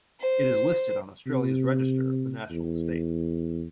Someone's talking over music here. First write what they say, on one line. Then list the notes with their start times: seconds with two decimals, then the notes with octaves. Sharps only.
It is listed on Australia's Register of the National Estate.
0.20 C5
1.27 C3
2.51 E2